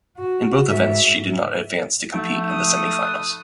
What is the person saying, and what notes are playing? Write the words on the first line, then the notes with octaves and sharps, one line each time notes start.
In both events she did not advance to compete in the semifinals.
F#4
G#2 E5
F3 A3 D#4 G6
D#6
B5 F#6